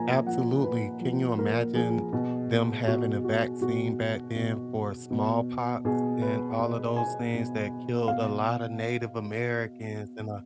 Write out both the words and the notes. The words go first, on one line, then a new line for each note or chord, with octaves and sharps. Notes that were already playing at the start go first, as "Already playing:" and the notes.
Absolutely, can you imagine them having a vaccine back then for smallpox and all of those things that killed a lotta native Americans? Am I
Already playing: A#2 F3 G#5 A#5
F3 F#5
A#2 B4
F3
A#2 A#4
F3 G#4
B2
B2 F#4
F#4
B2 F#4
B2
B2
B2 G#4
B4
B2
G#5
B2
B2 F5